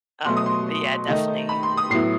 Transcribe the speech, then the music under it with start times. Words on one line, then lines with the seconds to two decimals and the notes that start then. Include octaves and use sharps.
Um, but, yeah, definitely
0.25 B2 F#3 A3 C6
0.37 D#6
0.46 C6
1.08 D#3 A3 D#4
1.49 B5
1.63 C6
1.77 D#6
1.90 A2 F#3 B3 E4 C7